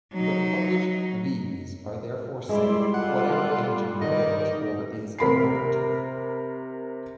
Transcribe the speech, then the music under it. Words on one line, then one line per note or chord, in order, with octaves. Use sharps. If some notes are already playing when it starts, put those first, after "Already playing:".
The published V's are therefore safe, whatever engine fails or is inoperative.
F#3 D#4
G3 G#3 E4 D5 C6
F4 A4 D5 F#5
D#3 D#4 D5 D#5
C3 A#4 B5 C7